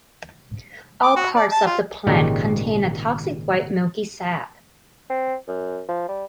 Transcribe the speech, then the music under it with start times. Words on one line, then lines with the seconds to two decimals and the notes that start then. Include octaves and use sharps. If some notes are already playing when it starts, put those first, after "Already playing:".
All parts of the plant contain a toxic white milky sap.
1.03 D6
1.16 F#4
1.36 D5
1.51 A5
1.67 F4
2.07 G#1 A#2 C#3 D#4 G4 D5
5.10 C4
5.48 F#2
5.89 F3
6.09 G3